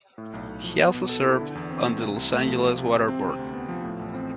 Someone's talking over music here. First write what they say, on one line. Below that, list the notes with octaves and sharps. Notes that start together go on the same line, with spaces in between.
He also served on the Los Angeles Water Board.
A2
B1
B1
F3
B3
B2
A4
E4
D3
E2
C4
A3
C3
C2
A3
F3
F3
C3
C3
C4
C3
D2
B3
F3
A2
A1
C4